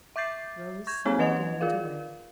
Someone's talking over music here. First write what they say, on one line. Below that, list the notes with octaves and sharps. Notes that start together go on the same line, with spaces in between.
Rose sighed, and went away.
E5 D6 G6 A6 C7
C#6 G6 G#6
A#3 C4 D#4 G#4 C#5 G#5
E3 B4 D#5 F#5 G#6 F7
F4 G#4 A#4 F5